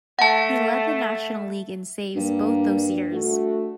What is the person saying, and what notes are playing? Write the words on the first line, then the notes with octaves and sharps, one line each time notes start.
He led the National League in saves both those years.
A3 F#5 A5
G2 A#3 D4
A3 D4 F#4